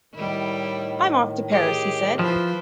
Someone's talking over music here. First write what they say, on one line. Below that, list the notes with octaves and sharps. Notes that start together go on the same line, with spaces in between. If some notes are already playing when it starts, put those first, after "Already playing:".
I'm off to Paris', he said.
A2 D#3 G3 E4
G4 G#4
F3 E4 B4 C5